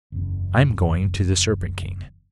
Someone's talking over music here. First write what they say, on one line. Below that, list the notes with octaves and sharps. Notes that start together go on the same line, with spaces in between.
'I am going to the Serpent King.'
F#1 E2